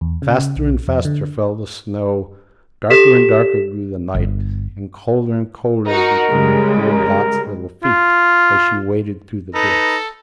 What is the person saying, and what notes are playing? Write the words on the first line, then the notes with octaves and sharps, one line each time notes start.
Faster and faster fell the snow darker and darker grew the night, and colder and colder became poor Blot's little feet as she waded through the drifts.
E2
C#3
B1
F2
D3
G4 A4 B6 E7
G1
D#4 F#4 A#4
C#3 G3 G#3
A#4
F4
D#4 A4 B4 A#6